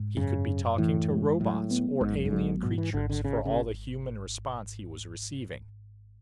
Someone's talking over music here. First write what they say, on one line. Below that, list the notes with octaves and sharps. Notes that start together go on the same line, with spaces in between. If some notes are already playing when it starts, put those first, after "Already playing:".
He could be talking to robots or alien creatures, for all the human response he was receiving.
Already playing: G#2
F#2 C#3
F#2
A2 E3
G#3
A2 F#3
B3
A1 G#2
F#2
G#2
F#3
G#2 B2
E3
G#1 D3
D3
G#1 C#3
C#3